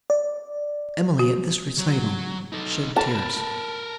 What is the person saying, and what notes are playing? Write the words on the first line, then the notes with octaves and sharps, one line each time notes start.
Emily, at this recital, shed tears.
D5
F#4
F#3
D#4 A4
A#4 B4 A5